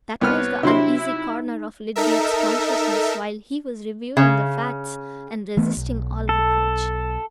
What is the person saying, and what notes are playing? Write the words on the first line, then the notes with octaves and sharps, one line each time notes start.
That was the uneasy corner of Lydgate's consciousness while he was reviewing the facts and resisting all reproach.
C2 B3 B4 C#5 F6
C3 F#3 D4 E4 C6
D#4
D#4 A4 A#4 E5
C#3
E3 A3 B3
B1
A4